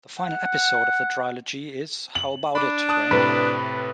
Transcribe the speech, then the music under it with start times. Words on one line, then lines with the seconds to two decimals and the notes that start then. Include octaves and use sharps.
The final episode of the trilogy is How About It, Frank?
0.19 F#5
2.15 F#7
2.55 D4 B5 D6
2.89 A5 D#6 F#6
3.11 A2 C3 B4